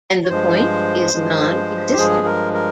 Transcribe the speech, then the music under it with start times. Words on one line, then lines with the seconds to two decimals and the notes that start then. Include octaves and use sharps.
And the point is non-existent.
0.24 C#5
0.30 G2 F3 G#3 C5
1.13 G2 F3 G#3
1.93 G4
1.97 G2 F3 G#3 G#4
2.26 A#4
2.53 A#4